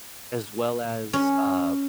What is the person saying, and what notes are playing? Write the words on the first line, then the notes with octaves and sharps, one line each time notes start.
as well as, uh,
C#4